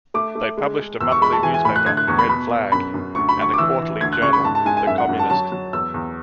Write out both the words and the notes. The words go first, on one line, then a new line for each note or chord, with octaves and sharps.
They published a monthly newspaper, "Red Flag", and a quarterly journal, "The Communist".
A3 D6
A3
G#3
G#3
E2 E6
C#6
G#3 B5
A5
E3 G#5
G#5
A2 B5
F#6
D3 G#6
F#6
E2 C#6
B5
B2 B5
B2
F#2 B5
F#2
D2 C#6
B5
D2 C#6
D6
E3 E6
E3
D2 G#6
F#6
C#3 C#6
B5
G#2 A5
A5
G#2 G#5
G#5
F#2 E5
F#5
F#2
A5
F#3 A5
F#3
E2 E6
E2